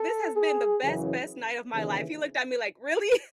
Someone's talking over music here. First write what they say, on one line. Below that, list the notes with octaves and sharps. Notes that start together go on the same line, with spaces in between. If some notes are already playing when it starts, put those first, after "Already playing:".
this has been the best, best night of my life!" he looked at me like, "Really?"
Already playing: A4
G#4
F#2 C#3 E3
D#2 C#3 E3